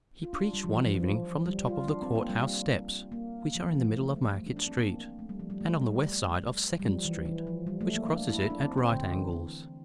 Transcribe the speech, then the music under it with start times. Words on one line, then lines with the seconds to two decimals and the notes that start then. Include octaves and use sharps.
He preached one evening from the top of the court house steps, which are in the middle of Market street, and on the west side of Second street, which crosses it at right angles.
0.23 F4
0.33 D4
0.54 G3
0.64 F3
0.74 E3
0.85 F3
0.95 F3
1.46 G3
1.67 F4
1.88 D4
2.02 C4
2.15 A#3
2.29 G3
3.12 A#3
3.55 F3
3.63 E3
3.75 F3
3.85 A3
3.95 A3
4.16 G3
4.36 A3
4.47 D4
4.57 D4
4.67 C4
4.78 A#3
5.19 A3
5.29 G3
5.40 F3
5.50 G3
5.61 A3
5.81 G3
6.79 G3
6.84 F3
7.05 E3
7.25 E3
7.47 F3
7.67 G3
7.81 A3
7.95 A#3
8.09 D4
8.29 E4
8.50 D4
8.64 C4
8.78 C4
8.91 D3
9.12 E3
9.33 D3